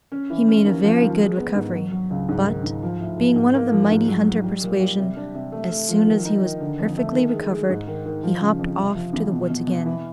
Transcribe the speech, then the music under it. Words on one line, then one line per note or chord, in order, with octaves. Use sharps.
He made a very good recovery; but, being one of the mighty-hunter persuasion, as soon as he was perfectly recovered, he hopped off to the woods again.
C#4
E3
C#4
D#2
F3
D#2
G#3
B3
G#2
F#3
F#3
C#2
G#2
D#3
G#2
F3
A2
F3
G#2
A#3
F3
G#2
F#3
F#3
G3
A#2
G3
C3
D4
C3
A3
A3
F3
D#3
D#4
D#3
D3
F2
A3
D#3
G#3
G#3
G#2
D#3
D#3
F3
C#3
F2
C3
F3
E2
B2
B2
B2
E3